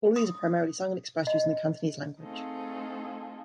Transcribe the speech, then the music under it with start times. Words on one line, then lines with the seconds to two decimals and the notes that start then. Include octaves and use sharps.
All of these are primarily sung and expressed using the Cantonese language.
0.16 D#6
1.27 D#5
2.21 A3 C4 D#4 F4 G#4 A4